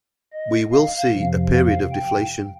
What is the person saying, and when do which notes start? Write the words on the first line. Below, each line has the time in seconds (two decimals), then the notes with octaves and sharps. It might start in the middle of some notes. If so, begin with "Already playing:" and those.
We will see a period of deflation.
0.33 D#5
0.72 F5
1.12 F2 C3 F3
1.52 F5
1.91 G5